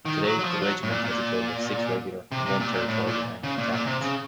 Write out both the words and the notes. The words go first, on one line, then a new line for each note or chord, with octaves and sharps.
Today, the regiment has a total of six regular and one Territorial Army battalions.
D#3
F#3
F#3
F3
F#3
A2
A#2
A#2
C3
C3
A#2
A#2
A2
A#2
C#3
A#2
A#2
C3
C#3